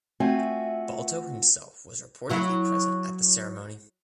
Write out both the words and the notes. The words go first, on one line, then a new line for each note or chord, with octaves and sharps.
Balto himself was reportedly present at the ceremony.
A3 C4 F4 F#4 E5 G#5
F#3 E4 F#4